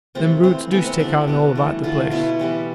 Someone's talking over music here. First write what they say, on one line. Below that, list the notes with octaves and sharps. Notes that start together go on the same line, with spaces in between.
Them roots do stick out all about the place.
C3 F3 A3 C4
E3 B3 C4
E3 A3 B3
C4
D3 G3 B3 D4
B2 G3 B3
E3 A3
D3 A3 F4
B2 B3 E4
E3 G3 B3